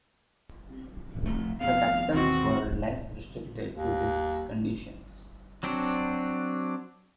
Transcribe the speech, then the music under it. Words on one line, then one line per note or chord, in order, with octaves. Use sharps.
The Captains were less restricted to these conditions.
F1 A3
F1 B3 F5
D#2 B2 E3 C4 F#4
D#2
F#3 C4 D4 F#4